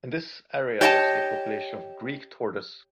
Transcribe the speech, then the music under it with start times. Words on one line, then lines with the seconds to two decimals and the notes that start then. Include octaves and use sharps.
In this area lives a population of Greek Tortoise.
0.81 G4 C#5 D#5 G5 A5